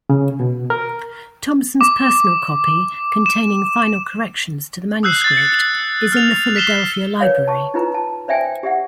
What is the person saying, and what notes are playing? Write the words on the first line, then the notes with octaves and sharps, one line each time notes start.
Thomson's personal copy, containing final corrections to the manuscript, is in the Philadelphia library.
C#3
B2
A#4
D6
E7
D#6 E6 F#6 G6 C7
A6
C#7
F6 F7
F6 B6 C7 E7 G7
A#4 B4 C#5 D5 F5
A5 C#6
D#4 F4 B4 A#5
A5
C5 D5 E5 G5 G#5
G4 D5 E5 F#5